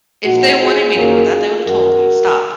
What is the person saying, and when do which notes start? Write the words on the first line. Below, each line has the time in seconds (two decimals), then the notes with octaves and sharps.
If they wanted me to know that, they would have told me, stop."
0.25 A#2 F3 G#3 D#4 F#4
0.60 F4 G#4
0.96 F#2 D#3 F#3 A#3
1.66 F#2 D#3 G#3 F#4 A#4